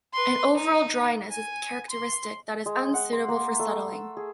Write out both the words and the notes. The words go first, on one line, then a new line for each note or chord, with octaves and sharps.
An overall dryness is characteristic that is unsuitable for settling.
B4 C6
D#4
G#5
C6
G#3
F#5
C6
A#3
A3
E6
G#4